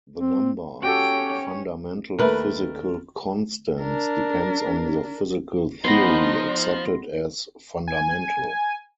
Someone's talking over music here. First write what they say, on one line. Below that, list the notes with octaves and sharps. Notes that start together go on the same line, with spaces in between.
The number of fundamental physical constants depends on the physical theory accepted as "fundamental".
C4
C#4 F#4 G4 A4 C#5 G5
D#2 A3 A#4 B4
D4 A#4
F3 B3 D#4 G4 C6 A#6
G#5